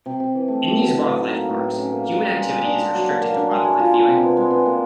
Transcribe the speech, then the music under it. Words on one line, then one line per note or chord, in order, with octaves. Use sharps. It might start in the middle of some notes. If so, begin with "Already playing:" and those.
In these wildlife parks human activity is restricted to wildlife viewing.
C3
C3
E3
A3
E4
F#3
A2
B3
D#4
A#3
A2
A2
C#4
A#3
A#3
G3
G#3
G#3
D4
G#3
F#3
A#3
A#3
D4
G#3
G#4
F4
F4
C3
B3
G#3
B3
A#3